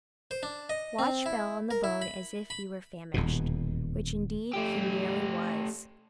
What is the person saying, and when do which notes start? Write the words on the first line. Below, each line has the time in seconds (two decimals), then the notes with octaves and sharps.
Watch fell on the bone as if he were famished, which indeed he nearly was.
0.31 C5
0.43 D4
0.70 D#5
0.99 C4
1.26 E4
1.71 A#4
1.84 E4
2.02 B5
2.50 B5
3.14 D#1 E2 B2
4.54 A3 G4